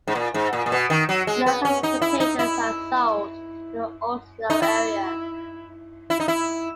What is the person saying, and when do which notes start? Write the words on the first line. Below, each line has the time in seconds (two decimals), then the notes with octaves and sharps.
Most of the potatoes are sold in the Oslo area.
0.08 G#2
0.15 A#2
0.34 G#2
0.53 A#2
0.66 A#2
0.72 B2
0.90 D#3
1.09 F#3
1.27 G#3
1.46 B3
1.65 C#4
1.83 D#4
2.02 E4
2.20 D#4
2.39 E4
4.50 D#4
4.62 E4
6.10 E4
6.20 D#4
6.28 E4